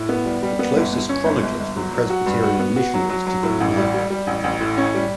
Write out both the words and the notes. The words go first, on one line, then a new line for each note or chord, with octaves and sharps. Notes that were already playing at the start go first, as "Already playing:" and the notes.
The closest chroniclers were Presbyterian missionaries to the Lenape.
Already playing: A2
B3
G3
G3
B3
G1
G1
C#4
G1
G1
G1
F#3
F#3
F#4
G2
F#4
B3
F#4
F#3
F#3
F#3
A2
A1
G3
G3
G3
A1
A1
A2
C#4
G3